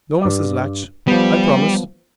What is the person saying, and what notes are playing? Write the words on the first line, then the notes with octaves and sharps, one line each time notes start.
"No, Mrs. Latch, I promise."
G2 D5
F3 G3 B3